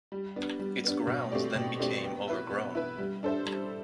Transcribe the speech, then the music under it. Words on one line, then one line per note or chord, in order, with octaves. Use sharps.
Its grounds then became overgrown.
G3
B3 D4
G3
B3 D4
B2
A3 C4 G4 D5
B2
A3 C4 G4 D5
B3
E4 B4 E5
B3
E4 B4 E5
G3
D4 A4 C5 E5
G3